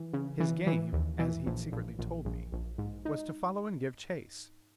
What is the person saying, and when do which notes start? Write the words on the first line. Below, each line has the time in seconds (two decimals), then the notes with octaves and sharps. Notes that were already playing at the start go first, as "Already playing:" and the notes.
His game--as he'd secretly told me--was to follow and give chase.
Already playing: E3
0.13 C#3
0.40 E3
0.67 E3
0.93 D#2
1.19 E3
1.46 A#1
1.72 A#1
1.99 A#1
2.25 A#1
2.52 A#1
2.78 G#2
3.05 D#4